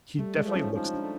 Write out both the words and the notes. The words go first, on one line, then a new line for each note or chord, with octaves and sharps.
he definitely looks the
G3 A3
G#3
F3
C#4
F3 D#4
D#4
D4
A3